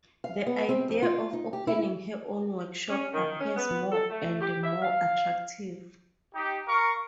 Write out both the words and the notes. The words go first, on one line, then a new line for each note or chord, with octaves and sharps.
The idea of opening her own workshop appears more and more attractive.
F5
B3
C4
F2
F4
D#4
G4
E4
C#4
D#3
C#4
B3
A4
A3
G4
E5
F5
D#4 G4
A#4 F5 C#6